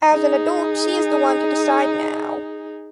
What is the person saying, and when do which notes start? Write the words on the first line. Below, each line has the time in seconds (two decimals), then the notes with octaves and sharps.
As an adult, she is the one to decide now.
0.12 D#4 G#4